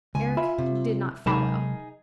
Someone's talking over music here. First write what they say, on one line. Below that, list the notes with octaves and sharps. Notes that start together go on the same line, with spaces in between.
Eric did not follow.
C#2 G#5
F4 E5 B5
C3
C3 F#3 G#3 D#4 G#4 A#4 A5 B5